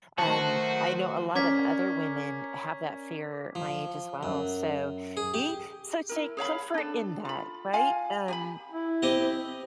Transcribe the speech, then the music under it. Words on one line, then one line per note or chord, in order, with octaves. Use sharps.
um, I know a lot of other women have that fear at my age as well. So, be so take comfort in that. Right? Um,
D#3 F#3 A3 F#4 C5 A5
C#4 A#4 D5 D6 G#6 B6
F3
F#2
G#4
G4
E4 A#4
G#4 C#5 F5 B5
D4 A4
F4 B5
F4 F5 G#5
G4 G#5 B5
E4
C4 G4 D#5